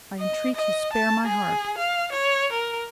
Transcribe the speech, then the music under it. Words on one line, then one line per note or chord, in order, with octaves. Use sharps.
I entreat you, spare my heart!
D#5
D#5
A5
G#4
F5
C#5
A#4